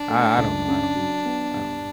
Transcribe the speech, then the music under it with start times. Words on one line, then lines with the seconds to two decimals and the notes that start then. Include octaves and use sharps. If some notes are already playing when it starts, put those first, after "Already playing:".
I I don't know, I don't know, I don't know.
Already playing: D4
0.10 A3
0.38 C#2
0.68 C#3
0.96 F#3
1.25 B3
1.54 G2